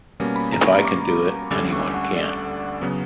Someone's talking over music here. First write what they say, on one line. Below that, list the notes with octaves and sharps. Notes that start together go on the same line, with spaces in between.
If I can do it, anyone can.
B2 G3 A#3 C#4
B5
A#5
C#6
B5
D6
D2 D3 G3 C#4 D6
C#6
F#5
D5
C#3 F#3 B3